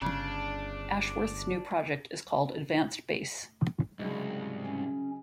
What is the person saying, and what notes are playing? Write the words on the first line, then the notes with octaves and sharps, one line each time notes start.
Ashworth's new project is called Advance Base.
G1 C#3 D4
C2 G#2 C#3 F#3 D#4
C#4